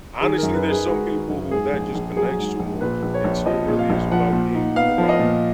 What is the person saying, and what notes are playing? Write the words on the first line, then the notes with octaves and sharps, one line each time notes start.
honestly, there's some people who that just connects to more, it's it really is about being around
D#3 G#4
A#4
F#2
B4
D#4
G#4
G#3 F#4
D#3
F#2
G#2 G#4
A#1
A#1
F#3 G#4
G#2
A#1
A#2 B4
A#1
C#5
A#1
F3 D#5
A#2
F5
A#1
F3 F#5
A#2
D#4
B3 F5
F3
D#5
A#2